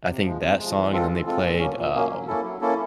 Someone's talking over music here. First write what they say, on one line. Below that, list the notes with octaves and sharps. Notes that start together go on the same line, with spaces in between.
I think that song, and then they played, um
C3
F3 G#3
C3
F3 G#3
E3
G#3 C4 F4 A4
E3
G#3 C4 F4 A4
A#2
F#3 A#3 C#4
A#2
F#3 A#3 C#4
F#3
A#3 C#4 E4 A4
F#3
A#3 C#4 E4 A4